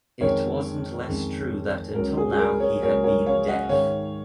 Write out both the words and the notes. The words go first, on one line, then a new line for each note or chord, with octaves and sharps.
It wasn’t less true that until now he had been deaf.
F2 D#3 G#3 A#4 C#5
F2 D#3 G#3
C#2 C#3 F#3 A#3 A#4
G#4
G#4
A#4
A#4 C#5
C#2 C#3 F#3 A#3 A#4 C#5
A#4 C#5
C#5 F5
D#5 F#5
G#2 D#3 G#3 C#5 F5